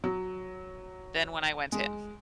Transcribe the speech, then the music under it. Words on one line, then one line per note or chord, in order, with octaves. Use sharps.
than when I went in.
F#3
G#3